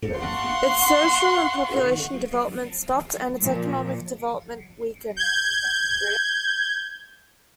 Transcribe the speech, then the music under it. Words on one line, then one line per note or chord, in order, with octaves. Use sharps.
Its social and population development stopped, and its economic development weakened.
F5 F#5 C6 C#6
A#2 F3
G6 G#6